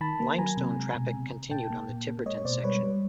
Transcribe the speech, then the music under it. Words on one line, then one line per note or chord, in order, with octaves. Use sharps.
Limestone traffic continued on the Tiverton section.
D#3 A5 B5
A#3
F#3 G#5 A#5
C3
G#3
B2
C3
C3
A#2 G5 A5
A#3
A#2
A#3
G#3 C#5 D#5
C#5
B2 C5 D5
G3 B4 C#5
G3